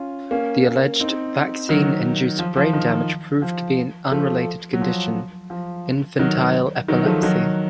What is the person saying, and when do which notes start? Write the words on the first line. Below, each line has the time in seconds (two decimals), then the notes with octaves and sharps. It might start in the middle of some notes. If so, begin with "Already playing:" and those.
The alleged vaccine-induced brain damage proved to be an unrelated condition, infantile epilepsy.
Already playing: C#4 F4
0.31 A#3 C#4
1.00 C4 D#4
1.69 D#3 F#3
2.39 F3
2.57 F3
2.73 D#3
3.42 F3
4.12 F3 A3
4.73 F#3
4.81 F3
5.50 F3
6.19 D#3 F#3
6.88 D#3 F#3
7.05 F3 A3
7.23 D#3 F#3